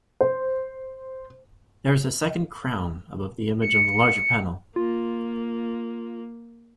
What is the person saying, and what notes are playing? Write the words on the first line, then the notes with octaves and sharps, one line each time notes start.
There is a second crown above the image, on the larger panel.
C5
C#7
A#3 F4